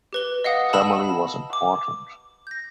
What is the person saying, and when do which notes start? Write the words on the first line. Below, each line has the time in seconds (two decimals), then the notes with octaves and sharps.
Family was important.
0.13 G4 B4 G7
0.44 D#5 F5 F#5 D#6
0.73 A5 B5 E6 E7
1.53 D6
2.47 G6 A#6